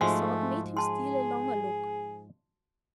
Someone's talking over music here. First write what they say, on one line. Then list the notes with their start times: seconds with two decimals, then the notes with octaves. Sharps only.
The thought made him steal a longer look.
0.01 G#2 F3 G#3 A3 F#4 G#5 C6
0.77 G#4 A5 C6